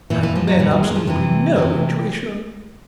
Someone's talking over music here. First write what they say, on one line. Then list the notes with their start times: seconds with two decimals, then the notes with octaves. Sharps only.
Have men absolutely NO intuition?
0.10 A#2 E3
0.23 E3
0.35 F3
0.48 F#3
0.59 A#2 G3
0.71 G3
0.83 G#3
0.95 F3
1.07 C3 E3
1.56 C3 E3